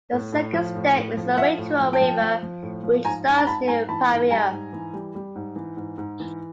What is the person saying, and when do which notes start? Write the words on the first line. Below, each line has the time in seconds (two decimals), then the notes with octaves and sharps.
The second stem is the Waitoa River, which starts near Piarere.
0.12 A2
0.32 A2
0.53 F3
0.75 A2
0.95 A2
1.17 F3
1.37 F3 E5 F#5
1.58 A2
1.80 F3
1.93 G5 A5
2.01 F3
2.21 F3
2.43 F3
2.63 A2
2.84 F3
3.05 G#2 G#5 A#5
3.26 G#2
3.38 A#5
3.46 G#2 A5 B5
3.68 G#2 G#5 A#5
3.89 E3 A5 B5
4.10 G#2
4.31 G3 G#5 A#5
4.51 G#2
4.73 E3
4.94 G3
5.15 G3
5.35 G#2
5.56 E3
5.77 G#2
5.98 G#2
6.20 E3